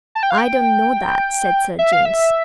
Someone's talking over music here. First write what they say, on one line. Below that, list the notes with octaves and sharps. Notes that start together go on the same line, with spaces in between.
"I don't know that," said Sir James.
A5
G5
F5
G5
E5
F5
E5